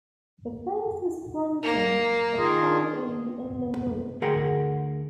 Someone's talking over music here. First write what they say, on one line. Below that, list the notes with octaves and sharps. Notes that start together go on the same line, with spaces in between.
The first was fronting of found in the Inland North.
A#3
D#3 F4 G#4
D2 G#4 A#4 F#5 G5 C6